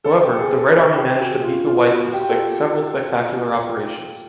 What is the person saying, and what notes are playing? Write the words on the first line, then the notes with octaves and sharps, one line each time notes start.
However, the Red Army managed to beat the Whites in several spectacular operations.
A4
G4
G#4
A4
A4
G4
F#4
F4
F4
F#4
G4
A4